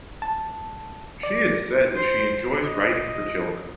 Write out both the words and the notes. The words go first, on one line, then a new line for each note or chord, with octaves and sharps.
She has said that she enjoys writing for children.
A5
D5
C5
D#5